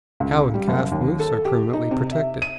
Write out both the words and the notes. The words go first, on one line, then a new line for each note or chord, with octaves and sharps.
Cow and calf moose are permanently protected.
C#2
G3
F#1
D#2
A4
G4
D#4
C3
E5
D#7